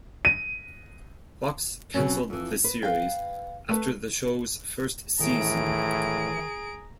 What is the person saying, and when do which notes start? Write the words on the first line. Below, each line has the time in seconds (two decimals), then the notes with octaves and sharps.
Fox canceled the series after the show's first season.
0.25 D#7
1.94 B2 F#3 C4 C#4
2.30 F2 E3
2.64 B4
2.83 B4 F5 G5
3.69 A3 B4
5.20 A2 D#3 E3 G#4 A#5 D7